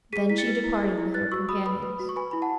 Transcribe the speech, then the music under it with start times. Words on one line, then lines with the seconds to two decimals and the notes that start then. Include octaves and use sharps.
Then she departed with her companions.
0.13 G#4 B6 D#7
0.30 E4 B6
0.38 A6 C#7
0.47 B4
0.64 E4
0.80 G#4
0.97 E4
1.14 B4 F#6 A6
1.32 F#4 C#6 E6
1.49 F#4 B5 D#6
1.66 B4 B5 D#6
1.83 B4
2.00 F#4
2.09 C#6
2.16 B4 G#5 B5
2.31 E4 B5
2.42 F#5 A5